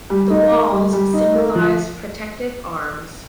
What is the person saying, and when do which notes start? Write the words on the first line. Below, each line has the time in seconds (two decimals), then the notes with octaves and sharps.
The walls symbolize protective arms.
0.10 G3
0.30 D#4
0.51 A#3
0.72 G3
0.93 G3
1.14 D#4
1.34 A#3
1.55 F3